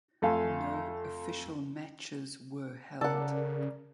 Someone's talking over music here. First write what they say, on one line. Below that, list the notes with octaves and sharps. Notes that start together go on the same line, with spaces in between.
No official matches were held.
F2 A3 A4 F5 G#5
C#3 A4 A#4 D5 F#5